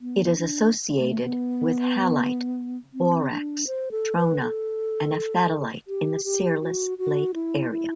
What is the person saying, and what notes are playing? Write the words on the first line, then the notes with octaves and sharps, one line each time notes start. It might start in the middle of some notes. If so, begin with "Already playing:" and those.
It is associated with halite, borax, trona and aphthitalite in the Searles Lake area.
B3
D4
A3
B3
C4
D4
C5
A4
B4
A4
G4
G4
F#4
F#4
E4
E4